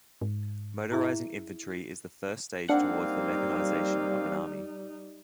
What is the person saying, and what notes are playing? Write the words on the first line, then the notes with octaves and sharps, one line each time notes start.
Motorizing infantry is the first stage towards the mechanization of an army.
G#2
E4 G#4 E5
G3 A#3 C4 D4 D#4 F5 F#5